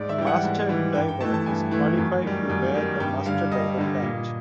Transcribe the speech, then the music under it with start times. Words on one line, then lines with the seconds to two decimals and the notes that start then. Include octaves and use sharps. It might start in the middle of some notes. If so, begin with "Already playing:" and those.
A master diver is qualified to wear the master diver badge.
Already playing: G#2 D5
0.09 E5
0.18 E3 G3 G5
0.27 F#5
0.43 G#2
0.69 E3 G3
0.94 G2 G5
1.08 G5
1.21 E3 A3 A5
1.34 A5
1.46 G2 G#5
1.71 E3 A3
1.98 F#2
2.23 D#3 G3
2.49 F#2
2.74 D#3 G3
3.00 G2 G5
3.26 D3 G3 F5
3.52 G2 D#5
3.77 D3 G3
4.02 A#2